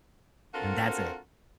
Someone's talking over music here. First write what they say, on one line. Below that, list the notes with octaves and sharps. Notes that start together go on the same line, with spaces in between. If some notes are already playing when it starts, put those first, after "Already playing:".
and that's it.
C4 D4 F4 F#4 A4 A#4